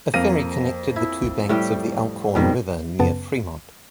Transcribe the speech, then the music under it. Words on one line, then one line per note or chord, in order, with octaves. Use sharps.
A ferry connected the two banks of the Elkhorn River near Fremont.
F2 A#3 A#6 D#7
E4
A2 G3 G4
F2 G#2 B2 D#3 G3
F#2 C#3 B3 A5